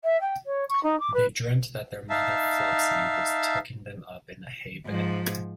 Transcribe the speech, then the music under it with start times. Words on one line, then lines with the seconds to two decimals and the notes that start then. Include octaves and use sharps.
They dreamt that their mother Flopsy was tucking them up in a hay bed.
0.04 E5
0.21 G5
0.46 C#5
0.69 C#6
0.83 D#4
1.00 D6
1.14 B4
2.10 D#4 E5 F5 A5
4.86 G#2 F3